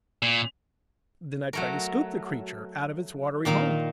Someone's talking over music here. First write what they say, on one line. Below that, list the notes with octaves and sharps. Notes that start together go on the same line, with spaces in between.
Then I tried to scoop the creature out of its watery home.
A#2
F#3 A3 A#4
A#2 D#3 A#3 D#4